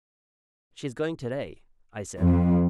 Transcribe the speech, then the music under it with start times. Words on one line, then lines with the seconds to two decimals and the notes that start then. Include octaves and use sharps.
"She's going to-day!" I said.
2.19 F2